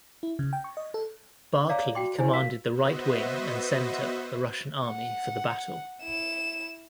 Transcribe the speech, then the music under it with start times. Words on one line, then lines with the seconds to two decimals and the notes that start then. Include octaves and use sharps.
Barclay commanded the right wing and center of the Russian army for the battle.
0.23 E4
0.39 C#3
0.53 G5
0.64 C#6
0.77 D#5
0.94 A4
1.69 C#5 D5 F5 A#5 D6
1.95 F#4 G5 C6 D6
2.19 E4 C5 C#5 G#5
2.33 A#4 F5 B6
2.69 B3 F#4 B4 C5 D#5 E5
4.87 F#5
6.02 E4 E7